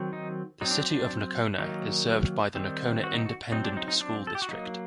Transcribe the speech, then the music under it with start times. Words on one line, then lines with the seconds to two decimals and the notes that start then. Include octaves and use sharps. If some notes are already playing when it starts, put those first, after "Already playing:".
The City of Nocona is served by the Nocona Independent School District.
Already playing: D#3 F#3 C4
0.13 D#4
0.61 F#3 C4 D#4
0.71 D4
0.90 D4
1.59 D#3 F#3 A#3 D#4
2.55 D#3 G3 C4
3.04 F#4
3.14 D#4
3.26 F#4
3.52 F#3 C4 D#4
3.64 D4
3.77 D#4
3.88 D#4
4.01 D4
4.27 A4
4.35 G4
4.42 F#4
4.49 F#3 A#3 D#4